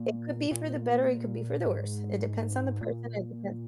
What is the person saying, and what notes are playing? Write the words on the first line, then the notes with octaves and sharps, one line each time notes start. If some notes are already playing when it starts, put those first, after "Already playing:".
It could be for the better, it could be for the worse. It depends on the person, it depends
Already playing: A#2
A#2
G#2
A#2